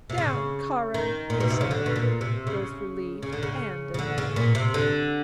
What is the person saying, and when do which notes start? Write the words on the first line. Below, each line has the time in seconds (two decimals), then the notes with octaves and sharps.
'Down, Caro!' he said, both relieved and annoyed.
0.10 C3
0.18 C#3
0.94 D#3
1.30 A#2
1.40 B2
1.50 C3
1.61 C#3
1.71 D3
1.86 B2
1.96 A#2
2.21 C3
2.47 C#3
3.22 C#3
3.33 D3
3.43 C#3
3.94 C#3
3.99 D3
4.18 C#3
4.36 A#2
4.55 C3
4.74 D3